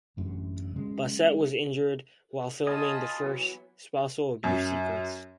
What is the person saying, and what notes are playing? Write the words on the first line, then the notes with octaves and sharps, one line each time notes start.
Bassett was injured while filming the first spousal abuse sequence.
A1 F#2 A2 D3
D3 F#3 G#3 C#4
F4 D#5 G#5 A5 B5 D#6
E3 F#3 B3
F#2